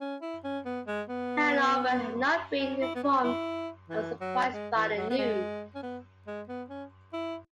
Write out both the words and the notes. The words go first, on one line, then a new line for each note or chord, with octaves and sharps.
Hanover had not been informed and was surprised by the news.
C#4
E4
C#4
B3
G#3
B3
C#4
E4
B3
C#4
E4
E3
F#3
G#3
E3
F#3
B3
G#3
C#4
B3
G#3
B3
C#4
E4